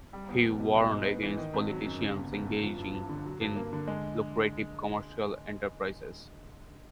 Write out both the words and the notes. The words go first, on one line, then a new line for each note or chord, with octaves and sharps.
He warned against politicians engaging in lucrative commercial enterprises.
G3
E2
E2
B2
G#3
G#2
B3
E3
D#3
G#1
F#3
F#2
C#3
G1
G1
F#2
F3
G2
G2
D3
F#3
G2
A#3
D3
G#3